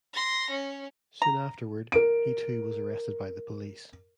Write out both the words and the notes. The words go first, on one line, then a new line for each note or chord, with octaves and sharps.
Soon afterward, he too was arrested by the police.
C6 A#6
C#4
A#5
A#4 D7